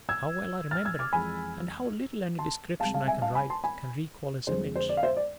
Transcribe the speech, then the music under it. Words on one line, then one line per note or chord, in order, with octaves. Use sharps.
How well I remember it, and how little any description I can write can recall his image!
E6 G#6
F6 A6
E6 G#6
D6 F6
F2 E3 G#3 G#5 B5
A5 C6
C2 C3 G#3 F5 A5
F5 A5
E5 G#5
F5 A5
G#5 B5
A5 C6
G#5 B5
F2 D3 G#3 C5
C5
D5
F5
C5 E5
D5